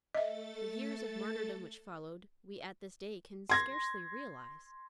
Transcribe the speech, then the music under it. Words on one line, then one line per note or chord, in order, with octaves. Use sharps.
The years of martyrdom which followed, we at this day can scarcely realize.
A3 A4 D#5 E5 A6
C6 G#6 A#6